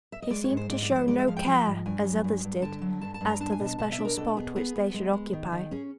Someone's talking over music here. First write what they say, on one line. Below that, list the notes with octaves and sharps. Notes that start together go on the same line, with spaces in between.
He seemed to show no care, as others did, as to the special spot which they should occupy.
E5
D#5
G#3 D5
C#5
G#2
C5
G#2 D5
D5
F3
C5
G#3 D5
E5
F3 F5
G5
F3
G#2
G2 G#5
F#3
G2
G2
D3 A5
F#3
G2 A5
A5
G2
A#5
D4 A5
G#5
B2
A5
B2 A5
E5
D4
A#4
B2 A4
B3 G#4
B3 G#4
B3
G#3
G#3
D#3
D#3
C#4 G#4